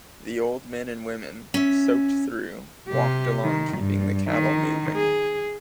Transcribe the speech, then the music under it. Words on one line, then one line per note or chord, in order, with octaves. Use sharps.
The old men and women, soaked through, walked along keeping the cattle moving.
C#4 E5
C3 G4
D#3
G2
D#3
G#4